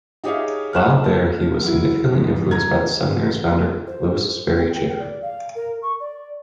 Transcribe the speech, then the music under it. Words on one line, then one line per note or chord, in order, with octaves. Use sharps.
While there he was significantly influenced by the seminary's founder, Lewis Sperry Chafer.
D#4 G4 G#4 C#5 E5 F5
F6 F#6 E7
A5
F#3 E4
F2 G#2 E3
A#5 G#6
C5
G5
G5
D5
F5
A#4
C#6
D5